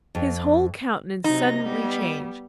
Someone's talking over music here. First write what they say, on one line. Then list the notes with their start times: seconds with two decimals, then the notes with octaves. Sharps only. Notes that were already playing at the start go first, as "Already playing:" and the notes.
His whole countenance suddenly changed.
0.15 F2
1.24 C3 F#3 D#4 A#6
1.60 G3 B3